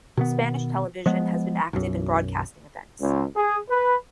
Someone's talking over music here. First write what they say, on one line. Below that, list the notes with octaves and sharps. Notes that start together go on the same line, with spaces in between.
Spanish television has been active in broadcasting events.
B2 D#3 B3
F3 G#3 B3
B1 F#2
C#2
G#4
B4